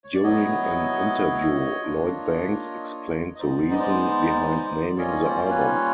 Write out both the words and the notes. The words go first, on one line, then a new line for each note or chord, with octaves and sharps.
During an interview Lloyd Banks explained the reason behind naming the album.
C#5
D5
F#3 B3 E4 C#5 D#5
A#3 D4 F4
D#5
G#3 B3 D#4 C5 D5
D#5
C5 D5
D5
G3 A#3 C#4 F4 C#5 D#5
C5 D5
D5
B4 C#5